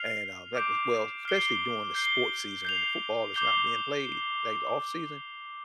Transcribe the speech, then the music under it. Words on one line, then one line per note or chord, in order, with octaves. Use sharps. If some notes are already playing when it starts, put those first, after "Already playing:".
And, uh, like well especially during the sports season, when the football is not being played, like, the off-season,
Already playing: F6 C7 F7
D6 G6 D7
F6 C7 G7
G6 C7 G7
G6 C7 F7
D6 G6 C7 G7